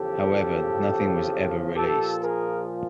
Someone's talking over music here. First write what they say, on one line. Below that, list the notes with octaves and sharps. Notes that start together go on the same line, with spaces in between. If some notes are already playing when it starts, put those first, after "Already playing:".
However, nothing was ever released.
Already playing: E2 C#3 F3 G4 A4
A#2 F3 G4 A4
G#4 A#4